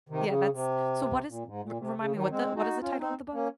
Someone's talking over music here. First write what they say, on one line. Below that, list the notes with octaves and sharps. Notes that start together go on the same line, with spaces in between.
Yeah, that's so, what is r remind me what the what is the title of the book?
C3 D#3
C#3
C3
A#2
G#2
A#2
C3
C#3
D#3 F#3
G#3 C4
D#4 F#4
C#4 F4
C4 D#4
A#3 C#4